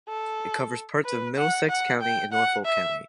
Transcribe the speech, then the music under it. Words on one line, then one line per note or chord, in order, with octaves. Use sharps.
It covers parts of Middlesex County and Norfolk County.
A4
B4
F#5
F#5
G5
F#5
E5